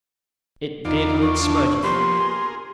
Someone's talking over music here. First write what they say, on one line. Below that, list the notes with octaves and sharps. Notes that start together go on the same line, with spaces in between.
It did look smudgy.
E2 D#4 F4 D5
C#6
D4
F3 A#3 B3 G4 C6
G#4 A#4